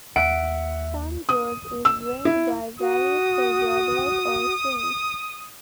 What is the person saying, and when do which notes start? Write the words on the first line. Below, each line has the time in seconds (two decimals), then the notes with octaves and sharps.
San Jorge is drained by various "quebradas" or streams.
0.16 D#2 E5 F#5 D7
1.29 D#6
1.85 E6
2.25 E4
2.80 F#4 D#6